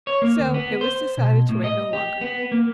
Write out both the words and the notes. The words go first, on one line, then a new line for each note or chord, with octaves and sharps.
So it was decided to wait no longer.
C#5
A#3
D2
B3
C5
B2
A2
D#5
G4
B3
A#3